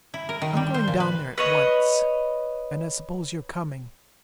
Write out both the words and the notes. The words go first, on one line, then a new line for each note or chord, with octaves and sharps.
I'm going down there at once, and I suppose you're coming.
E4
A#4
D#3
G3
C5
A#2
B4
B4 C#5 D#5